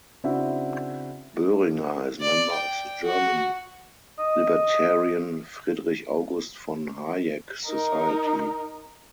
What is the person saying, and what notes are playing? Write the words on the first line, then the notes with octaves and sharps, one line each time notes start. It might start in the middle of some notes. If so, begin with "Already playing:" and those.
Boehringer is member of the German libertarian Friedrich August von Hayek society.
C#3 C4 D4 E4 F#4
D5
G5
F#4
D#5
D#4 A#4